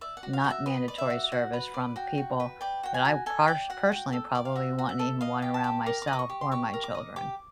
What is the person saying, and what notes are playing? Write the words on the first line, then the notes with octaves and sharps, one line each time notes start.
not mandatory service from people that I parsh personally probably wouldn't even want around myself or my children.
D5 E5
F#5
F#4
F5
F#4
E5
B4 D#5
D5
E5
F#4
F#4 F#5
B4
D5
F#4 G5
F#4
B4
D5 G5
F#4 G5
G#5
F#4
A4 G#5
D5 G5
F#4 F#5
F#4 G5
A4
D5
F5
F#4 E5
F#4
E5
A4
D#5 F5
G4
A5
G4
A#4 D6
D6
D#5
D6
C#6
G4
C6
G4 C#6
A#4
D6
D#5
G4 D6